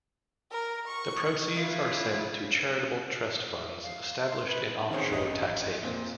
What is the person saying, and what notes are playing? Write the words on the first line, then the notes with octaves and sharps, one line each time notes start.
The proceeds are sent to charitable trust funds established in off shore tax havens.
A#4
C#6
E4 F4 B4
F5
C6
B4
D#3 C4 C#4 G#4
A1 D#5
A#2 C4